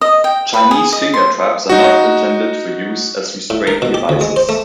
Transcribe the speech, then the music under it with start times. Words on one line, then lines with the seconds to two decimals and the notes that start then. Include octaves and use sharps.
Chinese finger traps are not intended for use as restraint devices.
0.01 D#5
0.24 G5
0.54 B4
0.71 G#4
0.93 D#5
1.14 C6
1.69 D#4 F#4
3.50 A2
3.67 A#4
3.82 B2
3.94 G4
4.09 D2
4.21 G#3
4.36 C5
4.49 A3